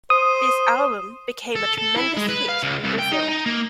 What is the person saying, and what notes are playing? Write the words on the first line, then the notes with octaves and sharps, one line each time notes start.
This album became a tremendous hit in Brazil.
C5 D#6
A4
A4
E4
G#3
B4
F5
C#2
C2
G5
D#4
D#4
A#3